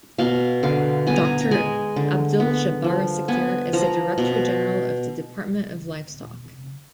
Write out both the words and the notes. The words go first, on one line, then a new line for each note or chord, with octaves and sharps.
Doctor Abdul Jabbar Sikder is the Director General of the Department of Livestock.
B2 F5
D3 F5
B3 G#5
A#5
G#5
A#5
G#3 G#5
D3
B3
F3
B3 G#5
F3 A#5
B2